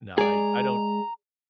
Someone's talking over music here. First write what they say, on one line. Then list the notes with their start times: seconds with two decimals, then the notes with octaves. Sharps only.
No. I I don't
0.18 G#3 G#4 D5 A#5